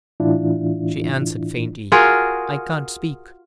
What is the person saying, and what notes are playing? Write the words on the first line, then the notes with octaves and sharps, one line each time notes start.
She answered faintly: "I can't speak!"
A2 E3 D4 E4 F4
F4 F#4 G#4 A#4